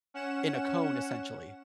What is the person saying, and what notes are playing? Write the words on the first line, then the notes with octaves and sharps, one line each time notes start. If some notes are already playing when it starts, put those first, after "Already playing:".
in a cone, essentially.
C#4 F#5 E7